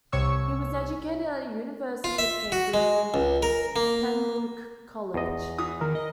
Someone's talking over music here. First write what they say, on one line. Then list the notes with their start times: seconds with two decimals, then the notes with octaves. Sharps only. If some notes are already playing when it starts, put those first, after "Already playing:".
He was educated at the University of Cambridge, in Pembroke College.
0.12 C2 C3 C#5 C#6 E6
2.04 F4
2.18 E5
2.52 F#4
2.74 G#3
3.14 C#2
3.43 A#4
3.76 A#3
5.14 E2 D#5
5.58 E3 D#6
5.81 D#3 A#4
5.95 D#5